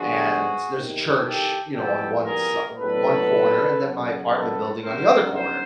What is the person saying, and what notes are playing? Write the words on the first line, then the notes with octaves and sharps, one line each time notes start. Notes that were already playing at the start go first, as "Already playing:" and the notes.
and there's a church, you know, on one si o o one corner and then my apartment building on the other corner.
Already playing: G2 D3 F3 G#3 B3 F#4 G#4
C2 C3 D#3
G4 A4
F2 C3 E3 G3 B3 G4 A4
G#4 A#4
A2 F#3 B3 D4 A4 B4
F#2 C#3 F#3
A4 B4
F#2 D3 G3 B3 D#4 A#4 C5
C5